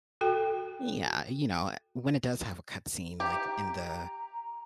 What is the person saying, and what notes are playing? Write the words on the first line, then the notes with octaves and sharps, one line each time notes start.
Yeah, you know, when it does have a cut scene, like, in the
F#4 A4 G5
G4 A#5